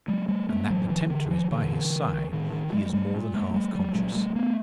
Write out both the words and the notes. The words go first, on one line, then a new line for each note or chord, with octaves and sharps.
And that the tempter is by his side he is more than half conscious.
F#3 G#3
G3 A3
G#3 A#3
A2 E3 F#3
D#3 F3
D3 E3
D#3 F3
A#2 D3 E3
A2 D#3
D#3
F#3 G#3
G3 A3
A#2
G#3 A#3
G3 A3
F#3 G#3
A#2 F#3 G#3
G3 A3
A3 B3